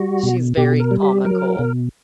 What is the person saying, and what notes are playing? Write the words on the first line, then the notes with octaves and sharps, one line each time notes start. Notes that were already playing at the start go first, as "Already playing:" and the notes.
She's very comical,
Already playing: G3 F#4
B2
B2 G4
A#4
G3
G4
F#3 A#4
B2